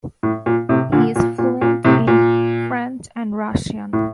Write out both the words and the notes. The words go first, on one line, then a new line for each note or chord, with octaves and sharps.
He is fluent in French and Russian.
A2
A#2
A2 C3
A#2 D3
A#2
A#2
A#2
A2 C3
A#2
A2